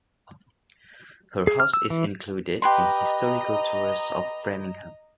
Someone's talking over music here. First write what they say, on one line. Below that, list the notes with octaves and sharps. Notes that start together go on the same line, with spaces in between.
Her house is included in historical tours of Framingham.
G#4
F6
E6
E3
G4 B4 D#5 A#5 C6